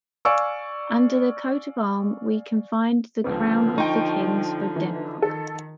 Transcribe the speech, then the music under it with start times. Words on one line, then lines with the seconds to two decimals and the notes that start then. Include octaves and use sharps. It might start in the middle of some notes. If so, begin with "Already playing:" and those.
Under the coat of arm, we can find the crown of the Kings of Denmark.
0.25 D5 F5 G#5 C#6 E6
3.24 C#2 D3 F3 B3
3.78 D#4 G5 C6 C#6
4.76 E3
5.22 D#3 A4